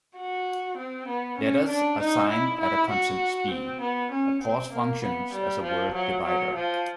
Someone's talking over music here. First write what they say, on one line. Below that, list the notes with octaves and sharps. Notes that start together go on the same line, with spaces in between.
Letters are signed at a constant speed; a pause functions as a word divider.
F#4
C4
B3
C#4
D4
D#4
E4
E4
F#4
C4
B3
C#4
C4
A#3
B3
G3
F3
F#3
F#3
F3